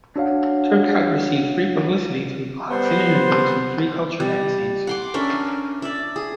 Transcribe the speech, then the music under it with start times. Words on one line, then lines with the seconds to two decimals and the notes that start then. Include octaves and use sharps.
Turcotte received free publicity through blogs and interviews in free culture magazines.
0.16 D4 F#4 C#5 F5 F#5
2.70 G3 B3 C5
4.20 G3
4.87 F#5 C6 D6
5.14 C#4 D4 A#4 E5
5.82 D5 E5
6.16 G#4